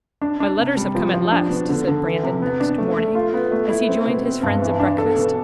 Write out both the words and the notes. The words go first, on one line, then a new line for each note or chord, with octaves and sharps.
"My letters have come at last," said Brandon, next morning, as he joined his friends at breakfast.
D4
D4
C3
G3
F3
F3
D4
B2
D3
D3
E3
C3
B3
D4
A3
A3
F4
B3
A3
E4
C4
B2
C4
G2
E3
D4
A4
B2